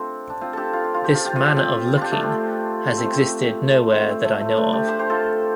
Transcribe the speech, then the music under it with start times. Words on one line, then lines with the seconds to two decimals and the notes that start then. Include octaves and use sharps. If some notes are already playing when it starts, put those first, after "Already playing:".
This manner of looking has existed no where that I know of.
Already playing: A3 C4 D4 F4 G4 A4
0.30 D4
0.41 C4 F4
0.53 D4 G4 A4
0.73 F4
0.84 G4
0.94 F4
1.04 G4
1.15 F4
1.25 G4
1.36 F4
1.46 G4
1.57 C4 F4
1.97 D4 F4 G4
2.11 A3 D4
2.23 C4
2.97 C4
3.05 A3
3.12 C4
3.77 A3
3.92 C4
4.09 C4
4.24 A3
4.41 A3
4.57 A3 D4
4.73 D4 G4
4.88 G4 C5
4.99 G4 C5
5.10 F4 A4